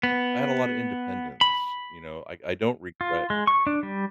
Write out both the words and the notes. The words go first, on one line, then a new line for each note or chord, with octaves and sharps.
I had a lot of independence, you know, I I don't regret
B3
B5
F4
G#3
C#6
D4
G3